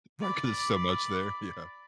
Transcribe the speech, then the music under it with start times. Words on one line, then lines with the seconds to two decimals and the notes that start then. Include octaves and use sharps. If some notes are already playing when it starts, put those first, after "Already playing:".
Right 'cause there's so much there, yeah.
0.20 D5 B5